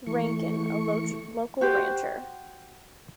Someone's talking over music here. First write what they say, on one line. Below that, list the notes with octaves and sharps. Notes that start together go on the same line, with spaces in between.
Rankin, a local rancher.
E3 A3 C#6
F#4 G4 C5